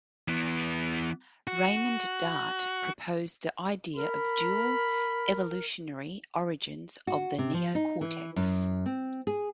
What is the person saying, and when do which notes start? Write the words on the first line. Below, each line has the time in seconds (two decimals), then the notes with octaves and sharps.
Raymond Dart proposed the idea of dual evolutionary origins of the neocortex.
0.28 E3 B3
1.47 F#4
3.96 A#4 B5
7.07 F#4
7.38 C3
7.54 F3
7.75 D#4
8.01 E3
8.36 F#2
8.86 C4
9.27 G#4